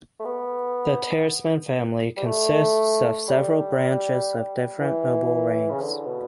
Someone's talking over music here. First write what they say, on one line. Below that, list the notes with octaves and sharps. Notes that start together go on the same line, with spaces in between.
The Tersmeden family consists of several branches of different noble ranks.
A3
B3
G3
A3
G3
E3
C#3
D3
B2